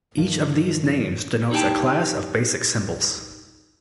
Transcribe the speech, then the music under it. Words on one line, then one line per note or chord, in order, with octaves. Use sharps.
Each of these names denotes a class of basic symbols.
G2 D#3 F3
D#4 E4 G4 G5 A5